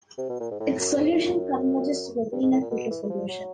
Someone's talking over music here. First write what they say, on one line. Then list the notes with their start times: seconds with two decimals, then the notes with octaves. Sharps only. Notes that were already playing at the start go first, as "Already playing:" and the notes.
Its solution converges to the Wiener filter solution.
0.18 C3
0.29 B2
0.40 A#2
0.51 G#2
0.60 A2
0.79 F#2
0.98 F2
1.12 F2
1.17 F#2
2.33 G2
2.42 G#2
2.52 A2
2.61 A#2
2.70 B2
2.90 E3
3.03 E3
3.10 F3
3.28 F#3